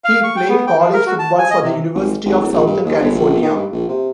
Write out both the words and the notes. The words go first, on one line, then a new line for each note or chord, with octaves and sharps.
He played college football for the University of Southern California.
F5
C#6
G5
B3
G5
F3
A#4
F#4
A5
G#5
D#5
C3
G#1
G#1
D1
A#1
G2
D#2
G1
A#1
D#3
G2
A#1
C3